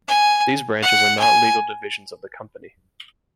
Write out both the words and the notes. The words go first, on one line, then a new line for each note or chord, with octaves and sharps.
These branches are not legal divisions of the company.
G#5
F#5
G#5